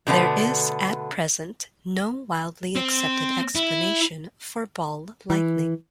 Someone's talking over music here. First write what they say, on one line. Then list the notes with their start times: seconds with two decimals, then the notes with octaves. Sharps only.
There is at present no widely accepted explanation for ball lightning.
0.07 B2 D3 A3 B3
2.76 C4 C5
3.55 E4
5.30 E3